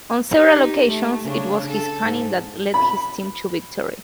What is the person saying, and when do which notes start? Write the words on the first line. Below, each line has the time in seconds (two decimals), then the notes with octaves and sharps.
On several occasions, it was his cunning that led his team to victory.
0.29 D#4 G4
0.88 A3
1.24 C#3 D4
1.70 A4
2.02 G#2
2.74 B5